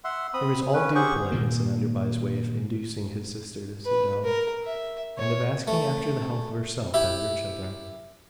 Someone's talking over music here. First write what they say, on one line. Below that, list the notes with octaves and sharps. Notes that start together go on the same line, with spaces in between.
There was all due politeness in Enderby's way of inducing his sister to sit down, and of asking after the health of herself and her children.
E5 F#5 C6
C4 B5 D#6
C#4 B4
C#4 G4 G#4 C5 F#5 C#6
A#2 D#3 A#3
B4
A#4
E5
C#5
A3
E4 G4 E5